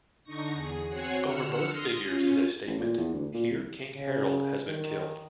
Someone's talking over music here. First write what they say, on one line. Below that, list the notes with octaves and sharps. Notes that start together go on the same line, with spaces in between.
Over both figures is a statement "Here King Harold has been killed".
D3 D#4 C#6 A#6
E2 G#4
C4 F#4 C#5 F#5 G#5 C7
D3 F#5 E6 F6 C#7
C6 D#6 F6 A#6
C#4 F4
A1
A#2
E2
D2
A#2
C2
C#3
D#3